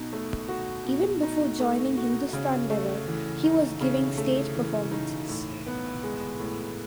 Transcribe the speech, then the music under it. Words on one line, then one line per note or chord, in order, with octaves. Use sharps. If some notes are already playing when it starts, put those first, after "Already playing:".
Even before joining Hindustan Lever, he was giving stage performances.
Already playing: B2 D#4
A3
F#4
B2
D#4
A3
F#4
C#3
A3
E3
D#4
C#3
A3
E3
D#4
A2
B3
G#3
A2